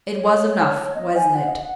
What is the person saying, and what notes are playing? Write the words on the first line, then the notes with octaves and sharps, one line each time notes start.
It was enough, wasn't it?
C#5
D#5
G#5
F#5
D#5
F#5